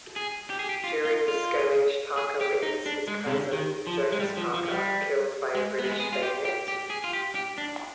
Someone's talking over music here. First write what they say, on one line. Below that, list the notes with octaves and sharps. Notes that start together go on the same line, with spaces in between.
During the skirmish Parker witnessed his cousin Jonas Parker killed by a British bayonet.
G#4
G4
G#4
G4
F4
F4
F4
G#4
G4
D#4
D4
G#3
C3
D3
D#3
F3
G#3
G3
F3
F3
F3
G3
G#3
B3
G#3
B3
G#4
F4
G4
G4
G4
G#4
F4
G4
G4
D4